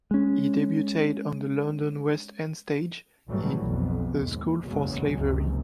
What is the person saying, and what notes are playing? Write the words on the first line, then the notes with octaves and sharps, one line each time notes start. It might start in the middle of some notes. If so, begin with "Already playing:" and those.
He debuted on the London West End stage in "The School for Slavery".
G#3 C#4
A#1 G#2 E3 F#3 G3 A3
B1 F2
D#2 G#2
F#1 B1 E2 C#3 F#3 G#3
F#1 C#2 G#2 C3